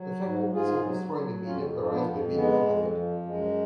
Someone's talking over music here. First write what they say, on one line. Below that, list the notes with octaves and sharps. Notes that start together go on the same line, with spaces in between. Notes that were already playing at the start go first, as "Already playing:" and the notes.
Effectiveness of destroying the media varies by medium and method.
Already playing: F#3
G#2
G#2 F4 G#4
F#3
F#3
F2 C#4 F4
F3
B3 D4
F2
G#3 B3
F2
F3
F#2 G#3